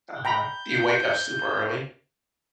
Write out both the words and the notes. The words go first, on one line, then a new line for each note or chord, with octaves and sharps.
Uh-huh. Do you wake up super early?
G5 A#5 B5 G6